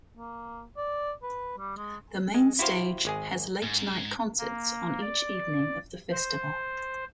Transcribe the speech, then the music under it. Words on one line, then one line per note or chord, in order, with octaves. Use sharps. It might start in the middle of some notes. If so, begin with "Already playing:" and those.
The main stage has late night concerts on each evening of the festival.
A#3
D5
B4
G3
G#3
G#3
E4 F#4 G4 C5 F5
G#1 G#3 G#4
G#2
A#3
D5
C5